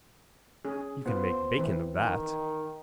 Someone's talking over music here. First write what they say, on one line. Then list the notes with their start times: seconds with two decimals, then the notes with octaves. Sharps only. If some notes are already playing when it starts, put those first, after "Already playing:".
You can make bacon of that.
0.65 C#4 G#4
1.06 B3 F4 B4 C5
1.58 E3 C4 B4
1.94 D#3